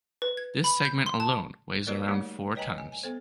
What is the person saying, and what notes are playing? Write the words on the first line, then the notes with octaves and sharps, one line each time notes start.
This segment alone weighs around four tons.
B4
G#6
B5
G6
C6
A5
G3 A#3 F#4 A#4 C#5 D5
A3 A#3 D#4 G4 C#5
B4 C#5 D#5 G5 G#5 A#5
G#5
G#5
B3 A4 C5